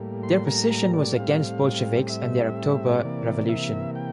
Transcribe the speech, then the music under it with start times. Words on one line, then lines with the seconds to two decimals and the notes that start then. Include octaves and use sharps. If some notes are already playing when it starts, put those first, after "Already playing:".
Their position was against Bolsheviks and their October Revolution.
Already playing: A2 G3 A#3
0.23 C6
0.47 A#5
0.70 A#5
0.94 D5
1.16 A2 G3 C4 F5
2.09 E5
3.02 C3 E3 A#3 D5
3.49 E5
3.95 G5